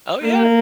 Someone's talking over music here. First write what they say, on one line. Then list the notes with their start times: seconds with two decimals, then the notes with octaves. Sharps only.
Oh, yeah.
0.22 A#3